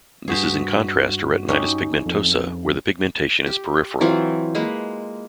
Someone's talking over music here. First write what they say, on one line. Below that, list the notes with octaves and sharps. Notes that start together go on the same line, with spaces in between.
This is in contrast to retinitis pigmentosa where the pigmentation is peripheral.
G2 F#4 G#4 C5 B6
C#4 D#4 G4
F2
G4
E3 F#3 C4 F4
G#3 A#3 B4